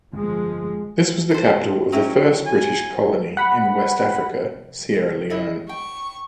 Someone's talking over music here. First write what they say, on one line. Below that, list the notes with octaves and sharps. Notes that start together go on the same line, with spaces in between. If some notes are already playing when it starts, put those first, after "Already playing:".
This was the capital of the first British colony in West Africa, Sierra Leone.
G1 F2 F3 G#3
A4 C5
F#3 C#4 E4 G5
G#5
F#5 B5
E4 D#5
G5 C#6